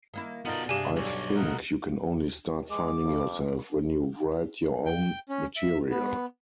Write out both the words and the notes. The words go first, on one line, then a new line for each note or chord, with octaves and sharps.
I think you can only start finding yourself when you write your own material.
D#3 A#3 E4
B2 D3 B3 D#4 F4 A#4 D5
G2 C3 D4 G4 G#4 F5 G#5
B1 C#5 D5
D#4 A#4 F#5
G#3 D6
F2
G5
C#4
E5
B3